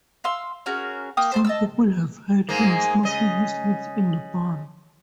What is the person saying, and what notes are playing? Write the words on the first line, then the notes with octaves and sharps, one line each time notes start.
Some people have heard him smacking his lips in the barn.
F5 C6 E6
C#4 F#4 G#4 A#4
A#3 G5 D#6
C5 A5 C6
D#5 A5 E6
G#2 G#3 A#3
C#3 D#5